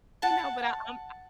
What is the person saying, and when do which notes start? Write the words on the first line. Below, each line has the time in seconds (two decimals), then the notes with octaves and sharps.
You know, but I I'm
0.22 F#5 A5